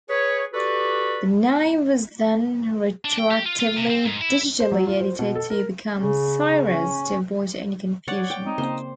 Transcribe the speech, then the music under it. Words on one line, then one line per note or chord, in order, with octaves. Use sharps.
The name was then retroactively digitally edited to become "Cyrez" to avoid any confusion.
G#4 B4 C#5
F#4 G4 A4 B4 D5
D4
G5
G4
F4
F4
C3
C4
G#2
E4
C5
F#3
F4
C5
B2
A4
A#4
C#3
C#4
C#5 D5 F#5
G5
C4 D#4
C#3 A#3 C4 C5